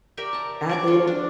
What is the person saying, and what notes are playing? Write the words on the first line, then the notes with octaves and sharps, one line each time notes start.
add the little
G4 A#4 D5 E5
A5 A#5
D5 C#6 D6
F4 A4 C#5 D5
D4